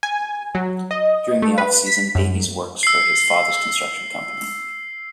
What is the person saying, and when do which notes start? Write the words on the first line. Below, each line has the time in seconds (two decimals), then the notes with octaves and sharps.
During the offseason, Davies works for his father's construction company.
0.03 G#5
0.55 F#3
0.91 D#5
1.42 A3
1.58 B4
1.86 B6
2.15 F#2
2.83 E6 C7